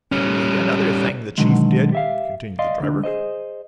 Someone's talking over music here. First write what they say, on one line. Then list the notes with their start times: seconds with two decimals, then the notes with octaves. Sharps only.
"Tell ye another thing the chief did," continued the driver.
0.12 G3 C#4
1.38 B2 D3 D#3 F#3 G#3
1.92 G4 E5 F5
2.59 D5 D#5 F5 C6
2.80 D2 D4
3.04 G#4 A4 C5 D#5